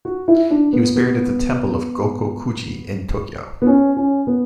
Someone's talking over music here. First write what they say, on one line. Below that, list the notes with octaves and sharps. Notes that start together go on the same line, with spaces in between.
He was buried at the temple of Gokoku-ji in Tokyo.
F#4
E4
D4
B3
B3
B3
C#4
C#4
B3